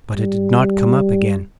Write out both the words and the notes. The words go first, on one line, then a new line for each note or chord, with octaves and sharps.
But it did not come up again.
G3